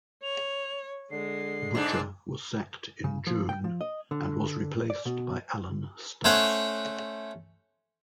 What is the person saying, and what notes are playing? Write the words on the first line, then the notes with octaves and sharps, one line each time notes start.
Butcher was sacked in June and was replaced by Alan Stubbs.
C#5 F7
D3 G#3 C7
G#2 D4
C#3
F3
G5
F3
D#5
D3
D5
B2
A3 C#4 C5 C#5 F#5